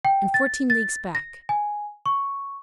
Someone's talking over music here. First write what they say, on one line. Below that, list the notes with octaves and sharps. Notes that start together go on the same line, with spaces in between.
"And fourteen leagues back?"
G5
A6
A6
A#6
G#5
C#6